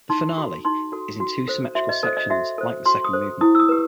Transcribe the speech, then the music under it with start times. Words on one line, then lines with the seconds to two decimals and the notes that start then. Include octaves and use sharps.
The Finale is in two symmetrical sections, like the second movement.
0.10 D#4 C6
0.37 F#4 A4
0.65 D#4 C6
0.92 F#4 A4
1.20 F#4
1.48 A4 C5
1.75 F#4 E5
1.89 D#5
2.03 A4 C5 D#5
2.17 D#5
2.30 F#4 E5
2.58 A4 C5
2.86 F#4 C6
3.04 D#6
3.13 A4 C5
3.41 E4 D#6
3.55 E6
3.60 D#6
3.69 G4 B4